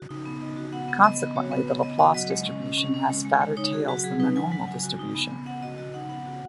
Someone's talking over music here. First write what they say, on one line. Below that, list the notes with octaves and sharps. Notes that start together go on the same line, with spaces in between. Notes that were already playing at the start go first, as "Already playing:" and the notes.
Consequently, the Laplace distribution has fatter tails than the normal distribution.
Already playing: F#4
D#4
B3
D#4 D#5
F#4
B3 F#5
B3
B3 D#5
B3 D#5
F#4 C#5
B3 B4
B3 C#5
B3 D#5
F#4 D#5
F#3 D#5
G#3
C#4
C#4
C#4
C#4
G#3
G#3
G#3
D#4 C#5
F#4 G#4
F#3 F#4
F#3 G#4
D#4 B4
F#3 G#5
F#3 F#5
F#3 G#5
F#4 G#5
D#4
B3 G#5
B3
B3 F#5
F#4 D#5
F#4 D#5
D#4 F#5
B3 F#5
F#4